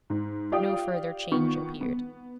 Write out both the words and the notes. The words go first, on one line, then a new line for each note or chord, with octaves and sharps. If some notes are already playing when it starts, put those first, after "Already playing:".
No further change appeared.
G#2
F4 G4 D5 F5 G5 D#6
D#3 B3 F4 C#6
B3